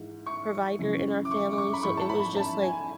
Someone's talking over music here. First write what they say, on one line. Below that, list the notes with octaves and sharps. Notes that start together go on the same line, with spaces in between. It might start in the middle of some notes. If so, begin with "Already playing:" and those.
provider in our family, so it was just, like,
Already playing: G#2 E3
C#6
F#2 C#3 E3
D6
C#6
D6
C#6
B5
G#2 E3 C#6
A5
B5
A5
G#5